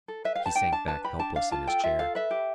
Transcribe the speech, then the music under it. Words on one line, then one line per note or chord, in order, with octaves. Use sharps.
He sank back helpless in his chair.
A4
B4 E5
G4 F5
A5
D4 G5
D4 A5
B4 A5
G4 B5
D4 A5
D4 F5
F4 A5
A4 G5
F4 E5
A4 F5
B4 E5
G4